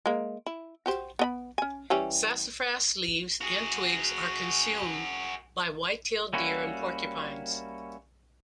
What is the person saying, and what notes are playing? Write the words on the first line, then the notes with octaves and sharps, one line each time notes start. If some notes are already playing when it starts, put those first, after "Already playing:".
Sassafras leaves and twigs are consumed by white-tailed deer and porcupines.
G#3 A#3
E4
F#4 G4 C5
B3 D#5 B5
C#4 G#5
E3 G3 C#4
F#4 G#4
G3 A#3 C#4 E4 F#4